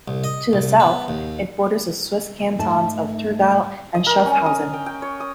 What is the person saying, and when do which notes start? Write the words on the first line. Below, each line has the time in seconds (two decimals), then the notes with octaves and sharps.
To the south it borders the Swiss cantons Thurgau and Schaffhausen.
0.08 C2
0.24 D#5
0.53 C2
0.80 B3
1.08 D#2
2.58 G#2 A3 D#4 A5
3.95 D#5
4.07 A#4
4.26 C#4
4.46 D#6
4.73 G5
4.86 G5
5.02 C#5
5.20 D#6